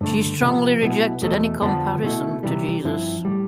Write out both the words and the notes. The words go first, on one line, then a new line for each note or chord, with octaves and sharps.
She strongly rejected any comparison to Jesus.
G2 D3 A3
C3 F3 B3
B1 B2 B3 E4
E2 B2 A3
F2 D3 F3 B3 D4
B2 A3 E4
C3 E3 G3
G2 F3 C4 E4
A2 G3